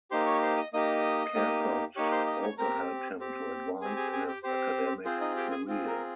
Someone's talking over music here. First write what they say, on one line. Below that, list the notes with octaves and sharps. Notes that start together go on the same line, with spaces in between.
Charcot also helped him to advance in his academic career.
A#3 D#4 G4 C5 C6
C#5 C#6
C5 C6
D#5 D#6
A#3 D#4 G4 D#5 D#6
A#3 D#4 G4
A#3 D#4 G4 C#5 C#6
C5 C6
D#5 D#6
C#5 C#6
C4 G4 A#4 A#5
C4 G4
C4 G4 G#4 G#5
G#4 G#5
G#4 G#5
G4 G5
C4 G4 C5
C4 F4 G#4 C5
D#4 D#5
G4 G5
G#4 G#5
C4 F4 G#4
A#4